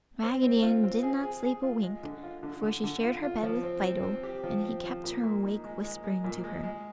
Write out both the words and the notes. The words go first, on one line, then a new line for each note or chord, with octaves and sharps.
Raggedy Ann did not sleep a wink, for she shared her bed with Fido and he kept her awake whispering to her.
C4
C4
F4
C4
G#4
G#4
G#4
F4
G#3
D3
F4
D3
D3
D3
F4
F4
F3
C4
C4
C4
G4
F3
C4
F3
A#2
A#2
D#4
G#3
G#3
G#3
A#2
G#3
G#3